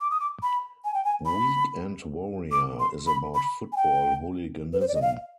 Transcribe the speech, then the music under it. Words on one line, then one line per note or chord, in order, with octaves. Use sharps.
"Weekend Warrior" is about football hooliganism.
D6
D#6
D6
B5
G#5
G5
G#5
B5
D6
C6
B5
B5
G#5
G5
B4
C5
D5
D#5
F5